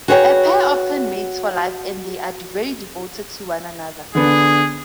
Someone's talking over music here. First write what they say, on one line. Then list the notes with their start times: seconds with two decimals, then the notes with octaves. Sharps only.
A pair often mates for life, and they are very devoted to one another.
0.08 F#4 G#4 B4 C#5 E5 G5
4.15 D3 B3 D4 G#4